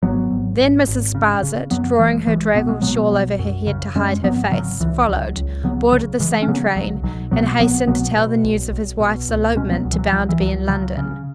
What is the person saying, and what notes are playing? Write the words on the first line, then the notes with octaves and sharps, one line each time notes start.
Then Mrs. Sparsit, drawing her draggled shawl over her head to hide her face, followed, boarded the same train, and hastened to tell the news of his wife's elopement to Bounderby in London.
G#1 F#3 B3
G#1
G#1
G#1
C#3
C#3
F#2 F#3 B3
F#1 E3 G#3
B1 E3 G#3
B2 B3
G#3
B2 F#3 B3
B1
F#2
C#3
F#2 G#3 C#4
G#1 F#3 B3
C#3 F#3
C#2 E3
C#2 F#3
C#2
C#3 F#3 B3
C#3 F#3
C#3 E3 G#3
C#4
C#3 F#3 B3
B1 F#3
B1 F#3
B2 F#3 B3
B1 F#3 B3
B2 F#3 B3
B2
B1
B1
B2
C#2
B2 G#3 C#4
F#3 B3
C#2
E3
F#3
C#2 F#3
E3
C#2 F#3
C#3 F#3
C#3